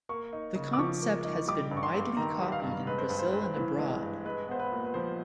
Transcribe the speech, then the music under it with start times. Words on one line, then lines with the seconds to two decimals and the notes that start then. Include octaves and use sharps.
The concept has been widely copied in Brazil and abroad.
0.09 A#3 C#6
0.33 D#4
0.55 C#3
0.73 D6
0.79 F3 C#6
1.02 A#3
1.25 D#4
1.48 G3 D6
1.71 G2
1.77 C#6
1.83 C6
1.94 G2
2.17 D#3 A#5
2.41 G3
2.52 F5
2.64 G2
2.87 G#3 B4
2.98 C5
3.09 G2 B4
3.19 C5
3.31 G2 B4
3.41 C5
3.52 E3 B4
3.79 G#3
4.03 G2
4.25 G#3 B4
4.48 B3 C5
4.60 B4
4.72 A#2
4.85 B4
4.94 F3 C5